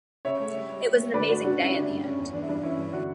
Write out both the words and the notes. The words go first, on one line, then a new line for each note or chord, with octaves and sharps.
It was an amazing day in the end.
C#3 C#5 E5
A3
G3
G3
G3
G3
D3 B4 D5
A3 D4 F#4
C#3 D4 F#4
G3 C#4 E4
D3 D4
G2
C#3 C#4
E2
E3 D4
E4
G2 D4
E3 C#4 E4
G2
D3 D4 F#4